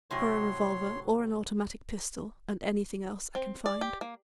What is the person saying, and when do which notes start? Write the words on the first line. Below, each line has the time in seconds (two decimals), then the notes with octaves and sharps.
"For a revolver or an automatic pistol and anything else I can find."
0.11 A2 C3 F#3 C#5 C6
3.35 C4
3.66 D5
3.81 G4
4.01 A#3